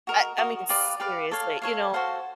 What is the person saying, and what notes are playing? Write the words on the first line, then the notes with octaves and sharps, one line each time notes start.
I I mean, seriously, you know?
F#4 A#4 D#5
F#4 A#4 D#5
G4 B4 D5 F5
G4 B4 D5 F5
A4 C#5 F5
A4 C#5 F5
F#4 A4 C5 F5